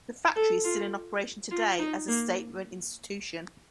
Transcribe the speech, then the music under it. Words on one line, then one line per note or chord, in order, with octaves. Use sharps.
The factory is still in operation today as a state-run institution.
A4
F4
F4
D#4
A#3